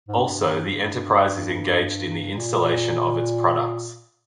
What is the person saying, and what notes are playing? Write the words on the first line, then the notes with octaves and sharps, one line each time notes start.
Also the enterprise is engaged in the installation of its products.
G#2
G2
A#2